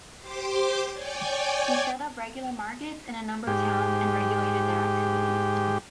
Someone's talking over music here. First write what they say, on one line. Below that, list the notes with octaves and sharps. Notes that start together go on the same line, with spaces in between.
He set up regular markets in a number of towns and regulated their activities.
G4 C5 C6 D6
C#5 D5 G5 G#5
G#2 G4